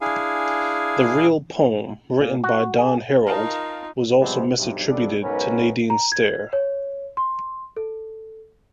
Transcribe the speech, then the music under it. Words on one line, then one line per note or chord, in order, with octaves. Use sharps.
The real poem, written by Don Herold, was also misattributed to Nadine Stair.
D4 E4 G#4 F5 G#5
A#2
F#4
G#4
D#4 F4 A#4 F5 A5
C3 F3 G3 G#3 B3 C4
B1 G2 C3
D#2 C3 G3 D4 A4
B1 G#2 B3 C#4 A#4 B4
A#5
G#6
C#5
C6
A4